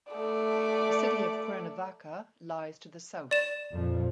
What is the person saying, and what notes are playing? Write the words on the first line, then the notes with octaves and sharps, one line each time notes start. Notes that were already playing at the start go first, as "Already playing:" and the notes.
The city of Cuernavaca lies to the south.
A3 D5
D5 E7
F2 A#2 F3